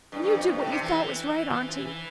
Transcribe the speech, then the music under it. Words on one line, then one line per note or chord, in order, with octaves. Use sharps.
And you did what you thought was right, Auntie.
G2
G2
F2
G2
A2
C3
E3
E3
E3
E3
E3
F3
E3
E3